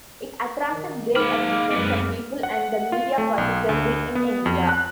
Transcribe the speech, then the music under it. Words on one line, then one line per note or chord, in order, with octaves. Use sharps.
It attracted great attention from people and the media particularly in India.
D#3
G#2 D#3 A#3 B5 D6 F6
F#2 F#3 G#3 C4 B4
F#5
F4
A3
B1
D2
B3
F2
F#6